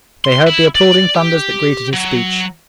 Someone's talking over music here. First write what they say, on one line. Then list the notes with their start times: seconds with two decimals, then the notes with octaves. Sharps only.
They heard the applauding thunders that greeted his speech.
0.25 C6
0.47 E4
0.75 D5
1.15 G4
1.93 F#3